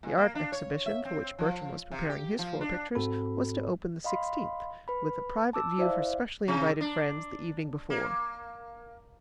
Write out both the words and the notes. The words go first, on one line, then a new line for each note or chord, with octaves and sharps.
The Art Exhibition, for which Bertram was preparing his four pictures, was to open the sixteenth, with a private view for specially invited friends the evening before.
A#2
A#3
D4
C#5
E5
C4
F3
C3
G4
F3
D4
G#2 C4 F#4 A4 B5
D#5 F5 B5 C6
B4 B5
A5 D6 E6
E4 C5 D5 E5 F5
C3
D4
A#3